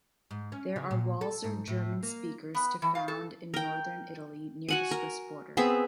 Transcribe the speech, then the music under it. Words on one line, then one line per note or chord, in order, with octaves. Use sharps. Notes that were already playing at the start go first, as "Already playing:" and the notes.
There are Walser German speakers to found in northern Italy near the Swiss border.
G#2
C#4
C#3
A#2
A4
G#2
A2
A#3
B3
E3
F5
A4
A#4 G5
F#4 F#5 G#5
A#4
B3 C4 G#4 E5